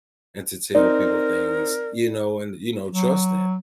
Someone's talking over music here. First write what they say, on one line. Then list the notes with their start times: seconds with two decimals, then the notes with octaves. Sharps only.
and to tell people things, you know, and, you know, trust in
0.75 C4 D#4 A#4 D5
2.88 F#3